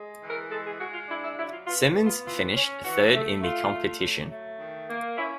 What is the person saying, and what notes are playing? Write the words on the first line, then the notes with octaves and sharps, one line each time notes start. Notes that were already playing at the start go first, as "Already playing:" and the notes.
Simmons finished third in the competition.
Already playing: G#3
E3
A#4
G#3 A4
G#4
G#3 F#4
F4
D4 E4
E4
F#3 E4
F4
B3 F4
B3
F4
E3 F4
C#4
E3 F#4
A3
A3 F4
A3
F#3
A3
D#3
A#3
C#4 E4